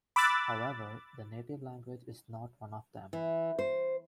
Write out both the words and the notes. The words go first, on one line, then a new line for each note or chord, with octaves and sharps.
However, the native language is not one of them.
B5 D6 E6 F#6 A6
E3
C5